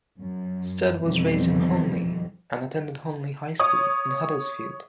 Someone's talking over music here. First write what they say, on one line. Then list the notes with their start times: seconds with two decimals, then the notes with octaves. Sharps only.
Stead was raised in Honley and attended Honley High School in Huddersfield.
0.20 F#2
1.04 F2 B2 D#3 E3 G3 C4
3.59 C#5 D#6